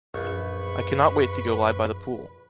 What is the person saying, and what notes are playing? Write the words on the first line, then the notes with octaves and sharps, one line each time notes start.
I cannot wait to go lie by the pool.
A#1 F#2 B4 C#6